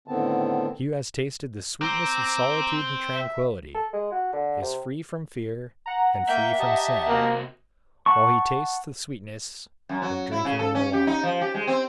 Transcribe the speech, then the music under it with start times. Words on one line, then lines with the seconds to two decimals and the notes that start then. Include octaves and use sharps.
He who has tasted the sweetness of solitude and tranquillity, is free from fear and free from sin, while he tastes the sweetness of drinking in the law.
0.08 A2 D3 D#3 B3 C4 A5
1.81 C4 A#5 D6
3.15 E5
3.75 A4
3.93 G#3
4.12 F#4
4.33 D3
4.62 C3
5.86 F#5 A#5
6.29 A#3 E5 G5 G6
6.59 G4 D#5 A5
7.08 C3 A#3 F#4
8.06 F#5 A5 C#6
9.89 F#2
10.02 F#3
10.31 E4
10.45 C#3
10.59 A4
10.75 C#4
10.93 G4
11.07 D#4
11.23 F3
11.41 G4
11.54 G#3
11.67 C4